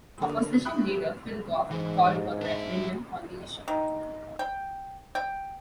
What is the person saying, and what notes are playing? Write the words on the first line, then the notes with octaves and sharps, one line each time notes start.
Opposition Leader Phil Goff called for a referendum on the issue.
D3 A#3
E5 G5 B5 D#6 F#6
G#2 E3
D4 E5
D#3
G5
G5